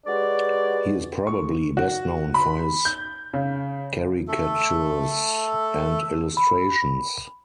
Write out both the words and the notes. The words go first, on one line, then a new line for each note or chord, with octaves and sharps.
He is probably best known for his caricatures and illustrations.
G#3 F#4 G4 B4 C#5 D5
C#6
F#4
B5
G6
C#3
A3 A4
B5